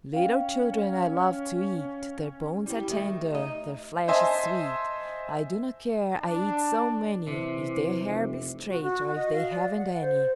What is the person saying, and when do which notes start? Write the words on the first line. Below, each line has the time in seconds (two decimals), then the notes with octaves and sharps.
"Little children I love to eat; Their bones are tender, their flesh is sweet. I do not care, I eat so many, If their hair be straight, or if they haven't any."
0.13 C#4 F5 G5
2.66 G3 E4 G4
2.89 D#3 A3
3.35 D#4
4.08 C5 D#5 E5 G#5 A5
6.19 D4
7.27 C3 E3
8.01 F1
8.69 F#4
8.83 F#4
9.15 D#5
9.33 F5
9.51 D5
9.77 F#5
10.02 C5